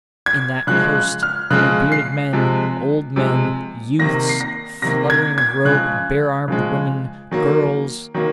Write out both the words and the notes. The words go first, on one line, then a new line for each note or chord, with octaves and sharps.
In that host were bearded men, old men, youths, fluttering robed bare-armed women, girls.
G#6
C#3 F3 G#3 F#6
F#6
F6
C#3 F3 G#3 F#6
C7
C3 F3 G#3
C3 F3 G#3
C3 D#3 A#3 A#6
C7
A#6
C3 D#3 A#3 A#6
G#6
G#6
C#3 F3 G#3 F#6
C#3 F3 G#3
D#3 F#3 A#3
D#3 F#3 A#3